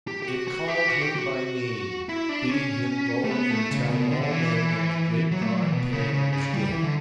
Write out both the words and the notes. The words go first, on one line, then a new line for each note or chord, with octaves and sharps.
It called him by name, bidding him go and tell all men that the great god Pan was dead.
G4
G4
F#4
F#4
G4
F#4
G4
F#4
E4
D4
C#4
A3
B3
A3
C#3
B2
D3
D3
E3
F#3
A3
F#3
E3
B2
C#3
C#3
C#3
G3
E3
D3